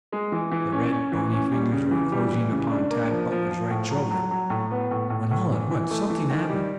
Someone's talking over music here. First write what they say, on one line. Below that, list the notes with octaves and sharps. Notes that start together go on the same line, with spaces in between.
The red, bony fingers were closing upon Tad Butler's right shoulder, when all at once something happened.
G#3
E3
E3
C#4
C#4
E3
C#4
G3
C#3
E3
G3
E3
C#3
D4
A#3
F3
F3
F3
A2
F#3
F#3
F#3
A2
B3
A2
A2
A2
E3
E3
A3
E3
D#3
G3